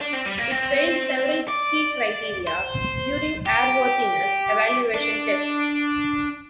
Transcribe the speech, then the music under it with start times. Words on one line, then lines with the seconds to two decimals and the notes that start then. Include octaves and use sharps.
It failed several key criteria during airworthiness evaluation tests.
0.01 D4
0.13 C4
0.25 G3
0.38 A#3
0.51 C4
1.48 D5
2.47 C5
3.46 G4
4.94 D4